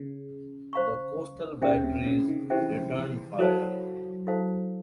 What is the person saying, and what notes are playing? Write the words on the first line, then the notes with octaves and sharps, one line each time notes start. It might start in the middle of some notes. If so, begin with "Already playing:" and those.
The coastal batteries returned fire.
Already playing: C#3
C5 F5 A#5 C#6
C#3 D#4 G4 C5 E5 G5
C3
C#3
D#3
E3 D#4 G4 C5 E5 G5
F#3 E4 A4 C5 F5 A5
E4 A4 C5 F5 A5